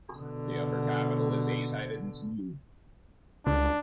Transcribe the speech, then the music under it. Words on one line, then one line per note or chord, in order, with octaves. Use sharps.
The upper capital is eight-sided and smooth.
B2 D3
C#2 D4